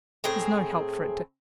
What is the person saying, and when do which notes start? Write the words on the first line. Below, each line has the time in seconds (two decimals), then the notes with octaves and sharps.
There's no help for it, Dick.
0.24 A2 C4 G#4 A#5